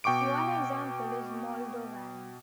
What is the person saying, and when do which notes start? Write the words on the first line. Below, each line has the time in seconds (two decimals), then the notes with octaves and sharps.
One example is Moldovan.
0.04 B2 G5 C#6 D6 D7